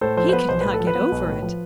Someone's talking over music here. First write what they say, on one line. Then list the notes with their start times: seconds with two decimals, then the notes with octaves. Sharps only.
He could not get over it.
0.01 A2 A4 C5
0.17 F3 A4 C5
0.29 C5
0.33 B3 B4
0.49 B1 C5
0.61 A2 B4
0.74 A4
0.80 F3
0.87 B4
0.95 B3
1.12 B1
1.27 A2
1.43 F3